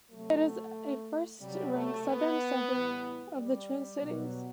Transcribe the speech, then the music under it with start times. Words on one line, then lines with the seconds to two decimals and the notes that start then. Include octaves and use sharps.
It is a first ring southern suburb of the Twin Cities.
0.10 C3 F#3 A3
1.40 C3 F#3 G3
1.73 A3
2.05 B3
2.70 A2 E3 G3
3.35 G3
4.00 B2 F#3